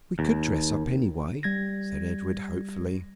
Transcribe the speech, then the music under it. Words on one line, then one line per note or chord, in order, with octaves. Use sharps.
"We could dress up, anyway," said Edred hopefully.
D#2
G3 G#6 A#6